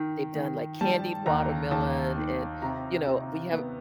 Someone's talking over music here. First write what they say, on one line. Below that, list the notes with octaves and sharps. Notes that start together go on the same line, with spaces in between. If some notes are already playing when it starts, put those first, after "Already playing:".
they've done, like, candied watermelon and, you know, we have
Already playing: D#3
D#3
G3 A5
D#2 A#5
D#2 A5
D#3
C3 A#5
C3
B3